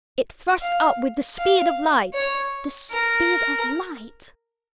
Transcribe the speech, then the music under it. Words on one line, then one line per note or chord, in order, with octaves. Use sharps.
It thrust up with the speed of light--the speed of light?
F5
F5
C#5
A#4